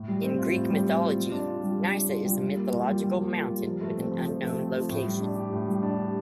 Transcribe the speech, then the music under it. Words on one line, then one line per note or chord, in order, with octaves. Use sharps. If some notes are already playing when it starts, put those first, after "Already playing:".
In Greek mythology Nysa is a mythical mountain with an unknown location.
Already playing: A2
G3
C4
F4
A2
G3
C4
F4
G3
D4
F4
G3
G3
D4
F4
G3
G3
A#3
F4
G3
G3
A#3
F4
G3
F3
A3
C4
F3
F3
A3
C4
F3
A2
G3
D4
G4
A2
G3
D4
G4